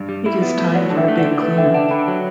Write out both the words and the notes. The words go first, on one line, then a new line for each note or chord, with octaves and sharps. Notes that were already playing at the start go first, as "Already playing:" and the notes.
It is time for a big clean-up.
Already playing: G2
G3
E4
B3
A2
F#3 D5 F#5
D3 A5
E5 G5
A3
D5 F#5
D3
A3 B4
D3 E5 G5
D4 F#5 A5
D3 G5 B5
F#3